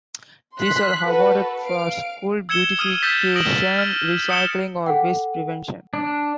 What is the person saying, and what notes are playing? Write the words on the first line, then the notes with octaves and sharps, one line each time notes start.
These are awarded for school beautification, recycling or waste prevention.
C6 F#6 B6
F#4 A4 B4
F5 D7
E6 G#6 C#7 E7 G7
D#6 F6 G#6 D#7
E6 G6 A6 B6
D#6 A#6 D7 E7 F#7 G7
F6
D#6 G6 C#7 D7 E7 G7
A4 F#5 G5
D4